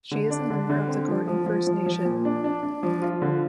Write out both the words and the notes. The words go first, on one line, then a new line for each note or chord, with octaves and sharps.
She is a member of the Gordon First Nation.
D3
D4
D3
D3
C4
F3
F3
F3
F3
F3
A#2
D4
D4
D4
F3
F4
D3